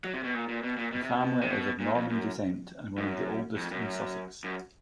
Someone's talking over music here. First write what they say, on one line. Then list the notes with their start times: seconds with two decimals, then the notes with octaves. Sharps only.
The family is of Norman descent and one of the oldest in Sussex.
0.04 F#3
0.14 C3
0.24 B2
0.34 A#2
0.48 A#2
0.63 B2
0.77 A#2
0.92 B2
1.03 C3
1.13 B2
1.41 C3
1.51 B2
1.80 A#2
1.95 F2
2.10 F#2
2.98 F#2
3.56 F2
3.71 F#2
4.44 F#2